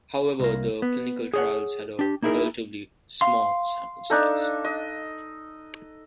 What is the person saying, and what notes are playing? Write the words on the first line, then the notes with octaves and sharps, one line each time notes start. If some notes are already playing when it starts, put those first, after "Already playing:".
However, the clinical trials had a relatively small sample size.
C2 A#3
B3
G#4 C#5 F#5
D4 G4
A#3 D#4 E4 G#4 A#4
F5 C6
D4 D#4 A4
D#5